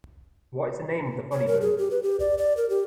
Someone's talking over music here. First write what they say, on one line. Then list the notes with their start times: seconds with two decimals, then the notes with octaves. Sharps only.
What is the name of the funny bone?
1.32 C#5
1.47 A#4
1.61 G#4
1.78 G4
1.91 B4
2.03 G4
2.20 D5
2.38 D5
2.57 A#4
2.70 G4